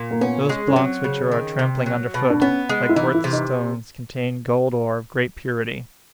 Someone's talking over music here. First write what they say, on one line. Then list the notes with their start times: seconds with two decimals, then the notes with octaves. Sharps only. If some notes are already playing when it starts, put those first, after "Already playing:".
"Those blocks which you are trampling under foot, like worthless stones, contain gold-ore of great purity."
Already playing: A#2
0.11 A#3
0.21 B3 C#4
0.49 G#3
0.68 C#4
0.76 F#3 C4
1.04 C#3
1.32 D#3
1.59 C3
1.86 F#3
2.14 B2
2.30 D4
2.42 B3 C#4
2.69 G#3
2.89 E4
2.96 E3 D#4
3.14 E4
3.24 C3
3.33 D#4